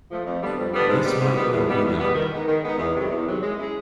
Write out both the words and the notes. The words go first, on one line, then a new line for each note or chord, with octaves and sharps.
This might well be done.
F3 A3
F2
D3 G3 B3 D4
F2
D3 G3 B3 D4
G#2
D#3 G3 B3
G#2
D#3 G3 B3
E2
B2 G3 B3
E2
B2 G3 B3
D#3
G#3 B3 D#4
D#3
G#3 B3 D#4
E2
C3 D#3 F#3
E2
C3 D#3 F#3
G#3
C#4 E4 G#4